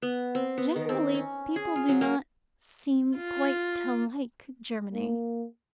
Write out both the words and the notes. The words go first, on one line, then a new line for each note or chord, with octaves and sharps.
Generally people do not seem quite to like Germany.
B3
C4
B3
D#3
C4
C#4
G#4
F4
F#3
A#3
F4
A#3